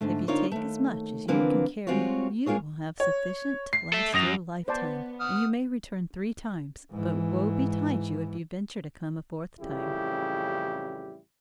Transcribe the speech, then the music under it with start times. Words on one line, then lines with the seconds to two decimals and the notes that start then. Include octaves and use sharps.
If you take as much as you can carry you will have sufficient to last your lifetime, and you may return three times; but woe betide you if you venture to come a fourth time.
0.01 G#2 D3 A3
0.28 D3 A#3 D#4 F4 C5 C#5
0.52 D#2 A3
1.28 D3 E3 F3 A#3 C4 B4
1.87 G3 G#3 C4 F4 F#4 C#5
2.46 G#3 A#3 F4 G#4 C#5
3.00 C#5
3.73 C7
3.93 A4 E5
4.14 F#2 D#6 A#6 F7
4.68 B3 C5 D5 A5
5.20 F#5 D#6 F6
6.90 G#2 E3
9.60 A1 F2 C#3 G3 E4 G4